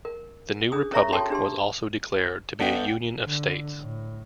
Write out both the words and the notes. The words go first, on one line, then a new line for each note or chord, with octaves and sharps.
The new republic was also declared to be a "Union of States".
A#4
C#4 D4 G#4 D#6 E6
C#4 A#4 C#5 E5 A#5 C#6
F#4 A4 C#5 G5 A5 C6
D4 G4 A5 C6
B3 A4 D5 F#5 G5
D3
A2